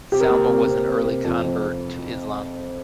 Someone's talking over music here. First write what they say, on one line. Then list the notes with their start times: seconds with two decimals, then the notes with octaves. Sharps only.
Salma was an early convert to Islam.
0.12 C3 G4
0.20 A#4
0.27 A#3 G4
0.49 C3
0.69 C3
0.87 C3
1.06 C3
1.24 F2
1.44 F2